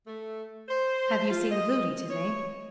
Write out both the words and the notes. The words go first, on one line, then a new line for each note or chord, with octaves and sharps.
"Have you seen Gloody to-day?"
A3
C5
F4
D#5
C#5